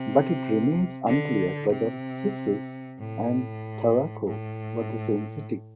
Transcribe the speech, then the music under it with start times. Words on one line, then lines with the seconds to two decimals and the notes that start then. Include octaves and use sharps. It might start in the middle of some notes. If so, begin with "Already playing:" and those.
But it remains unclear whether "Cissis" and "Tarraco" were the same city.
Already playing: C3
1.06 D3
1.70 C3
2.99 A2
4.27 A2